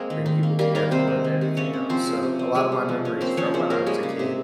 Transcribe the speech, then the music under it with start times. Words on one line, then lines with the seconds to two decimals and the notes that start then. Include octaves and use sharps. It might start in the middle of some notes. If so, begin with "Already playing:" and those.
bring people together more than anything else. So, a lotta my memories from when I was a kid,
Already playing: G#3 A#3 C4 G#4 A#4 C5
0.10 D#3
0.26 D#3
0.43 A#3
0.59 G3 A#3 A#4
0.75 D#3 A#3 A#4
0.91 C3 C4 C5
1.07 G#3
1.24 D#3
1.41 C3
1.57 C#3 C#4 C#5
1.73 C4
1.89 F3 C4 C5
2.07 C#3
2.23 C3
2.39 C4
2.55 G3 G#3 G#4
2.72 C3
2.89 F3
3.05 C#4
3.21 A#3 C4 C5
3.37 F3 C#4 C#5
3.54 C#3 C4 C5
3.70 A#3 C#4 A#4
3.86 G3 G#3 G#4
4.03 C#3
4.19 C3